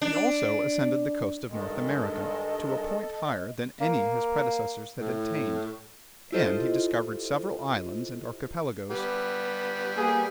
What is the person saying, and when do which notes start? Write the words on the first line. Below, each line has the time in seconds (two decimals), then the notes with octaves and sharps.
He also ascended the coast of North America to a point higher than any his predecessors had attained, and he discovered several islands and archipelagos.
0.02 D4
1.51 G2 D#3 G#3 A4 D#5
3.81 A#3
5.00 A2
6.32 E4 F4 G4 A4 C5 D#5
8.91 G3 B3
9.97 A#3 G#4